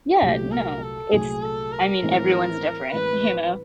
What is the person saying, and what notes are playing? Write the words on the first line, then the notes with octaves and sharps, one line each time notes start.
Yeah, no, it's I mean, everyone's different, you know?
C2 A#2 F#3 A3 G4
A#4
A4
C2 A#2 F#3 A3 G#4
A4
A#4
A2 E3 G#3 C4
A2 E3 G#3 C4 B4